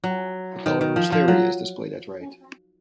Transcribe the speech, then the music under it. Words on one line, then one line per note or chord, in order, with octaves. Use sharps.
The color wisteria is displayed at right.
F#3
D#3
D#3
F3
F3
F#3